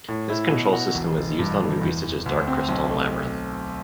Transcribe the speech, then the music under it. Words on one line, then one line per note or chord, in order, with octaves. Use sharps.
This control system was used on movies such as Dark Crystal and Labyrinth.
A2
E4
B2
F#4
E1
E1
G2
A3
E2
E2
D2
C4
B1
A3